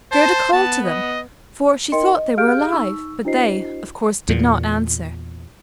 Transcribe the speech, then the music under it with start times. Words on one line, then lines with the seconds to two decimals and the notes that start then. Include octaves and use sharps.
Gerda called to them, for she thought they were alive; but they, of course, did not answer.
0.12 C5 A5
0.53 B3 A5
0.85 D#5
1.92 D#4 A#4 D#5 G5 C6 C#7
2.16 D#5
2.37 G4 G#4 F5 F6 G6 D7
2.72 D#4 C#6 E6
3.25 D4 E4 F#4 C5 D#5 C7
4.29 E2 A#2